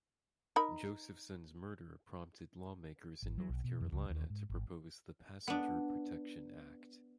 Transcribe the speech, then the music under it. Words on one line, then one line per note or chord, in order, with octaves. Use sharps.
Josephson’s murder prompted lawmakers in North Carolina to propose the Passenger Protection Act.
D#4 A#4 B5
G#1
F#3
B1
B2
F2
C#2
D#2
G#2
G#1
B3 D4